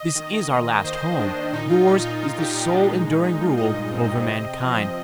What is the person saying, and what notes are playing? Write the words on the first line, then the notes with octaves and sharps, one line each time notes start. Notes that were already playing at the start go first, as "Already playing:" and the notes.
This is our last home, yours is the sole enduring rule over mankind.
Already playing: D#5
D#3
A#3
D#3 C5
D#3 D4
A#2 D#4
F4
A#2 D#4
D#4
A#2 F4
G4
A#2 D#4
D4
G#3 D#4
D#4
G#3 D#4
F4
G2 D#5
C4
C3
F3